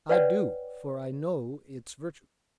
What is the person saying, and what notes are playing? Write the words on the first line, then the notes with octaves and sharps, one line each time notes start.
"I do, for I know its virtue."
B4 C#5 D5 F#5 G5